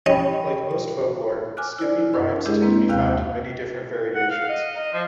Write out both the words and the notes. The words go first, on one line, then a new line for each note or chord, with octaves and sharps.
Like most folklore, skipping rhymes tend to be found in many different variations.
C#4 G4 D#5 G5 B5
G#5 D6 F6 F#6
E4 C5 D5
F#2 D4 A#4 E6
G#3 D4 E4 G4 G#4 D#5
A#3 C4 B4
D#2 C3 C4 F5 F#6 G6
F#5
F5
D#5
D#5
F3